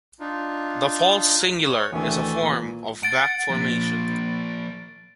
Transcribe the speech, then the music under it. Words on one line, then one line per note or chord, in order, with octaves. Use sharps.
The false singular is a form of back-formation.
D4 D#4 F4
C#5
D2 D#3 E3 A3 G#5
A#2
F#5 A6 D7
F3 A#3